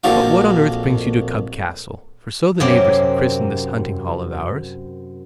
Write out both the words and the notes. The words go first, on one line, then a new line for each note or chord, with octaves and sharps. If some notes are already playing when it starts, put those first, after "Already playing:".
But what on earth brings you to Cub-Castle?--for so the neighbours have christened this hunting-hall of ours.
A#1 F2 D4 F#4 F5
F#2 C3 F#3 A#3 C4